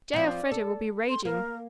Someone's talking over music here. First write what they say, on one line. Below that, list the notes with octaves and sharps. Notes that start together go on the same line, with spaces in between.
J. Elfreda will be raging.
F3 C4 D5
A4
C6
A#3 A#4